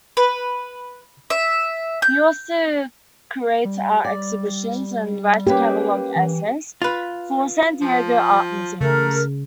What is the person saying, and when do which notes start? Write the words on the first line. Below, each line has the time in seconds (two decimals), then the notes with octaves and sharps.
He also curates art exhibitions and writes catalog essays for San Diego art museums.
0.17 B4
1.30 E5
2.02 G6
3.65 G3
4.05 D5
5.47 A#3 C#4 G4 B4
6.16 E3
6.82 F4 B4
7.82 F3
8.81 C#3 A3 A#4